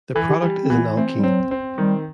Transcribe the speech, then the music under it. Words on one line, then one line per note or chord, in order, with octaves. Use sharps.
The product is an alkene.
E3 A4
G4
G3
C4
E3 B3
A3 C4
G3
F#3 C4
C4
D#3 G3